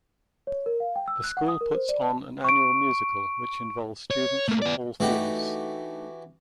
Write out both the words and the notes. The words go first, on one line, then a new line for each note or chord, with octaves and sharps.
The school puts on an annual musical which involves students from all fields.
C#5
A#4
F5
G5
E6
F#6
F#5
D#6
A#4
C5
D5
A5
C#6 D7
C#5
A3 A#3
B3 D5
E3 A3 D4 D#4 F#4 G4